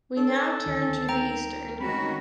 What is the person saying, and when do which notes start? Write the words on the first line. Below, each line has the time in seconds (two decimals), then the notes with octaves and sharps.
We now turn to the eastern.
0.17 C4 D4 A4 C#5
0.65 D2 D#3 D#4
1.09 G5 A#5
1.80 D#3 G#3 A3 C4 C#4 F#4 B5